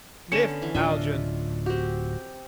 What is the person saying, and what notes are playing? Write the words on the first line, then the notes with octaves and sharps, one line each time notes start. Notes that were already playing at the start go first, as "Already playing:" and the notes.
"Lift, Haljan!"
D3 B3 C#4 C#7 E7
E3
D1 D4 F4 D#5 E5
C4 F#4 G4